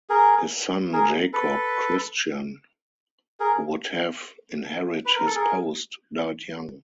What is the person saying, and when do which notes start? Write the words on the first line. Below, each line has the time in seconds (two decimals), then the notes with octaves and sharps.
His son Jakob Christian, who would have inherited his post, died young.
0.09 G#4 A#4
0.93 G#4 A#4
1.33 A4 B4
3.40 G#4 A#4
5.05 B4
5.15 A#4
5.26 A4
5.35 G#4 A#4